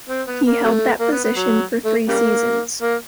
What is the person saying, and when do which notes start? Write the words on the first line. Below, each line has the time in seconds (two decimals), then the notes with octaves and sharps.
He held that position for three seasons.
0.09 C4
0.27 B3
0.46 A#3
0.64 C3 F#3 A3
1.00 A#3
1.12 B3
1.24 B3
1.36 F#3
1.85 A3
2.08 C#3 G3 A#3
2.82 A#3